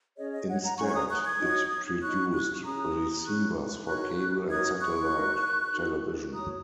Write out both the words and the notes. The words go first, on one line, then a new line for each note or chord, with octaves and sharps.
Instead, it produced receivers for cable and satellite television.
C#4 G#4 C#5 D#5
D#5
C#5 F#5
F#5 A#5
C#4 G#4 C#5 G#5 C#6
C#6
A#5 D#6
C#6 F#6
D#6 G#6
D#4 F#4 C#5
D#4 F#4 C#5 C#6 F#6
C#6 F#6
C#4 G#4 C#5 A#5 D#6
C#4 G#4 C#5 C#6 F#6
D#4 F#4 A#4 C#5 C#6 F#6
D#4 F#4 A#4 C#5 D#6 G#6
C#6 F#6
D#4 F#4 A#4
D#4 F#4 A#4
F#4 C#5 A#5 D#6